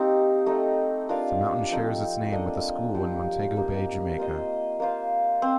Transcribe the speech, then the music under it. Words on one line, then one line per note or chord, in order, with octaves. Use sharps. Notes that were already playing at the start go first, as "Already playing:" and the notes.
The Mountain shares its name with a school in Montego Bay, Jamaica.
Already playing: A#3 C4 D#4 G4
A3 D#4 A4
D4 F4 A#4 F5
F3 C4 D#4 A4
A#3 D4 A4 D#5
F3 C4 G4
G3 A#3 D#4 G4
A#3 F4 C5 D#5
A#3 F4 C5 F5
C4